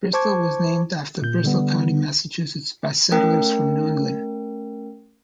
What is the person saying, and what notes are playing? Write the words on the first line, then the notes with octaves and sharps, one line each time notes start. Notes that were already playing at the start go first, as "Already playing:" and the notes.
Bristol was named after Bristol County, Massachusetts, by settlers from New England.
C5 A5 C#6 D6 G#6
A#2 G6
D3 G3 B3
A3 C#4 A#4 G5